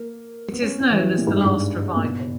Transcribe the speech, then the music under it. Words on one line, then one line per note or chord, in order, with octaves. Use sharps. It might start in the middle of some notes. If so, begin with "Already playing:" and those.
It is known as the Last Revival.
Already playing: A#3
B3
C#4
C#4
E3
G3
G3
A#2
G#2
G2
G#2
A#2
B2